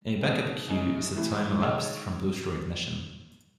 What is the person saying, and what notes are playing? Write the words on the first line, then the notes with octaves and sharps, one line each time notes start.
A backup cue is the time elapsed from booster ignition.
B2 F#3 A3 D#4 G#4
F#2 C#3 G#3 D#4 G#4
A2 E3 A3
D#3 G#3 D#4 A4 C#5